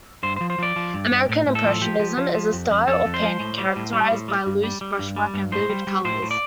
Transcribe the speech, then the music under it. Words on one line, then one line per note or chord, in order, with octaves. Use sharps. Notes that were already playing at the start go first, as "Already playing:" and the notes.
American Impressionism is a style of painting characterized by loose brushwork and vivid colors.
G2 C5
F3 C5
C5
F3 D5
F3
G2
G2
A2
A2
A4
F3
F3 G4
F3
F3
F3
F2
F2
F2 A4
F2
C5
F3
A2
G3
A2
G3
A2
G3
G2
G3
G3
G2
G3
G2
A2 C5
G3
G3
A2 C5
A2
D5